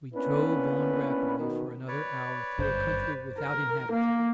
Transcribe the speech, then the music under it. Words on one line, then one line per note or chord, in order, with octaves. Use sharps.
We drove on rapidly for another hour through a country without inhabitants.
A#3 B3 C#4 D4 E4 B4
B2 D#3
B4 C#5 D5
G1 F#2 C5
A#4
A#3